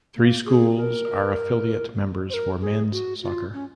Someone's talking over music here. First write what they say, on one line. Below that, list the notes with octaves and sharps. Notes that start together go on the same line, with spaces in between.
Three schools are affiliate members for men's soccer.
A#3
G#4
A#4
C5
A#4
G#4
F#4
F4
C#4